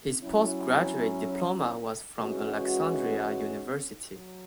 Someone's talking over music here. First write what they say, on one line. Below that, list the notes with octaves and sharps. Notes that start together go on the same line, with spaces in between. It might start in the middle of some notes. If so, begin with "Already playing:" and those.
His postgraduate diploma was from Alexandria University.
F#3 C#4 E4
E3 G#3 C#4 F#4
F#3